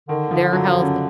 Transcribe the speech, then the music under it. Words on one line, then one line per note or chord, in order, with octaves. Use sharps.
their health
D3 D#3
F3
F#3
F#3
C#3